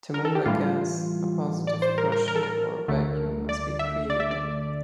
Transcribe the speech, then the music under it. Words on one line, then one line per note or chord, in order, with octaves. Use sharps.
To move a gas, a positive pressure or a vacuum must be created.
A#4
A4
G4
A2 E3 G3 F4
D5
C5
A#4
A#4
A#4
A4
A#4
D2 D3 A3
D5
E5
D5
E5
D5